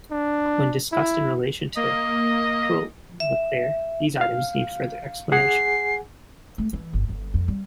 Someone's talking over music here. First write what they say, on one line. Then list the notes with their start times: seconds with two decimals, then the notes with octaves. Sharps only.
When discussed in relation to Cromaclear, these items need further explanation.
0.11 D4
0.93 E4
1.77 A#3 D#5
3.20 E5
4.21 F5
5.32 G#4 F#5 G#5 C7
6.58 A3
6.73 E3
6.93 G1
7.09 G1
7.34 F2
7.48 G3